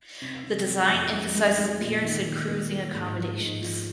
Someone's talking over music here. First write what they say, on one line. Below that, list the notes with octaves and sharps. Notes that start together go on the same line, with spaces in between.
The design emphasizes appearance and cruising accommodations.
C3
C3
G#3
F2
G#3
G#3
G#3
A#2
D#3
D#3
A#3
A#3
G#2
F3
G#2
F3